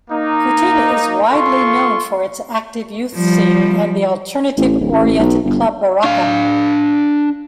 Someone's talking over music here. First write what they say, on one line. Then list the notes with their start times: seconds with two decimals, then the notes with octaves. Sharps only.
Kutina is widely known for its active youth scene and the alternative-oriented club Baraka.
0.11 A#3 D#4
1.32 F4 A4 C6 C#6
3.15 F3 G3
4.57 A1
4.80 D1
4.92 A1
5.19 B1
5.45 G1
6.04 D4 F5